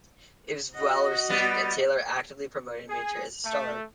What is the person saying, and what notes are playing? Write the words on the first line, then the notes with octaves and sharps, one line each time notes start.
It was well received, and Taylor actively promoted Minter as a star.
F#4 D#5
G3 B3
G#4
A3